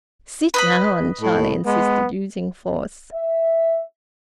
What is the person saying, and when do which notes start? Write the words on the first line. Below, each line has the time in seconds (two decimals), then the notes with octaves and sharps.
"Sit down!" Charlie insisted, using force.
0.54 B4 D#5 B5
1.21 A2
1.66 G#3 B3
3.13 E5